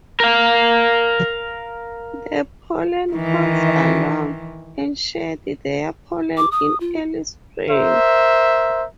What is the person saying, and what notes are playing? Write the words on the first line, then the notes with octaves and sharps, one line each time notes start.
The pollen cones are long, and shed their pollen in early spring.
A#4 F5
D#3 E3
D6
D#6
F4
A#4 C5 E5